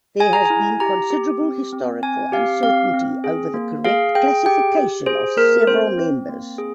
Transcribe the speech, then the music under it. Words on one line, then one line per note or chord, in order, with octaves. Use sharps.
There has been considerable historical uncertainty over the correct classification of several members.
G#4 G#5
A#5
E4 G#5
G4 A#5
G4
C4
C4
C4 G#5
G4 F5
C4 F5
C4
G#4
A#3
G#4 F5
G#4 G5
G4 G5
G4
G#4 C5
A#3 A#4
C4 C5
C4
A#3
G#4